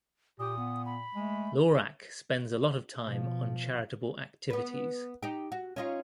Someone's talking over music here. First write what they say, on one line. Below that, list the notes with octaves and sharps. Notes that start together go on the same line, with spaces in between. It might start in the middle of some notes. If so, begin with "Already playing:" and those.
Lorak spends a lot of time on charitable activities.
A#2 G4 D#6
B3
B5
G#3 A3
B2 F3
B3 B4
D#4 G4
F#4
C#4 D#4 F4